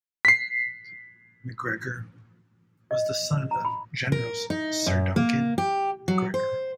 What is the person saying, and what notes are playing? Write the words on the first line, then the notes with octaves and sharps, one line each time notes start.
MacGregor was the son of General Sir Duncan MacGregor.
B6 C7
D#5
A#5
B5
A#4
D#4
F#2
A#3
G4
F#3
C5